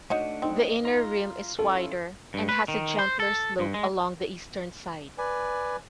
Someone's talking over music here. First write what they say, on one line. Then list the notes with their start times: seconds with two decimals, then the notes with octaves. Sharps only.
The inner rim is wider and has a gentler slope along the eastern side.
0.10 A3 D4 D#4 F#4 C#5 F#5 D#7
0.42 C4 D#4
0.85 F4 A#5
1.59 C#4 E4 F4 A4
2.34 G2
2.49 B4
2.68 D#3
2.99 C5
3.20 A4
3.59 G2
3.74 G#3
5.18 B4 D5 G#5